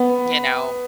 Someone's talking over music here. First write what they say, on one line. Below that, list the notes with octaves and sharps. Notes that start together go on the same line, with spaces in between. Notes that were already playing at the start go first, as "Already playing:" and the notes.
you know,
Already playing: B3